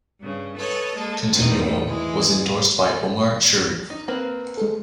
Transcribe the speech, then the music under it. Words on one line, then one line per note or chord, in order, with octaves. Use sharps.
Continuo was endorsed by Omar Sharif.
G2 C#3
A4 B4 C#5 D#5
G#3 A#3 A4
E2 A#2 D#3 G3 A3 C4
E3 G#3 E4
D#4
A#3 C4 B4
G#3 A4